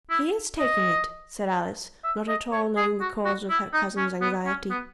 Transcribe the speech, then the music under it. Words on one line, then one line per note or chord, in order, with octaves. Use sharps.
"He is taking it," said Alice, not at all knowing the cause of her cousin's anxiety.
E4
D#5
E5
D#5
C#5
G#4
F#4
F#4
E4
D#4
C#4
B3
C#4
B3